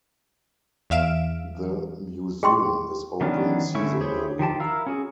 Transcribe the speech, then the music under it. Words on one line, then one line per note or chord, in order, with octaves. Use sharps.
The museum is open seasonally.
E2 E5 F5 D7 E7
G#4 G5 C6 C#6
D#3 E3 B3 C#4 D4
D3 A3 C#4 E4 C#6
E4 G4 G#4 C5 C#5
D#3 F3 G4 A5
E4 A#4 F5 A#5 E6
C#4 F#4 G#4